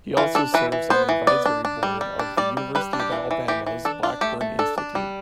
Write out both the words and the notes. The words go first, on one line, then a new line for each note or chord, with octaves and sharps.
He also serves on the advisory board of the University of Alabama's Blackburn Institute.
E3 F4
D4 A4
E3 B4
E3
B3 C5
E3
B3 D5
D4
D4
G3
G3
D4
G3 D5
G3
G3 B4
D4
G4
E3
E3
E3 G4
E3
D4 A4
D4 F4
A3 G4
A3
D4 A4
D4
G3